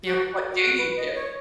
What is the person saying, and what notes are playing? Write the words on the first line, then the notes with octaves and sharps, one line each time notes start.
You know, what do you do?
F#4
F#4
B4
D#5
C#5